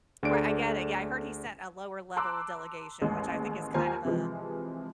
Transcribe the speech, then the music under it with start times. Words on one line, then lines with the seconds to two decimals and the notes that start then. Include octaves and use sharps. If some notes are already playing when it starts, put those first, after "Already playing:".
Right. I get it. Yeah, I heard he sent a lower-level delegation, which I think is kind of a
0.23 D2 D4 G#4 A4 D5 D7
2.16 A5 A#5 C6 D6 E6 F#6
3.02 A1 D#2 G#3
3.74 D#2 F4 C5 G#5 A#5
4.05 C3 E3 F3 G#3